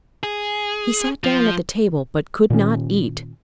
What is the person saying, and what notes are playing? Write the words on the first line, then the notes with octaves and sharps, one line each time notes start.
He sat down at the table, but could not eat.
G#4
F3
A#2 D#3 C#4